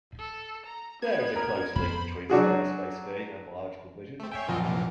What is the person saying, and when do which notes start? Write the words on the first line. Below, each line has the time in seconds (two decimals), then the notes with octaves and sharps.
There is a close link between scale-space theory and biological vision.
0.19 A4
0.66 A#5
1.02 B3 G#6
1.36 A#4
1.76 F2 B3 C5 B5
2.30 F#3 D4 F#4 G#4
4.19 A3 C4
4.31 C#5 E5 G5 G#5 C7
4.48 A#1 F#2 C4 F4 D#5
4.64 C3 E3 A#3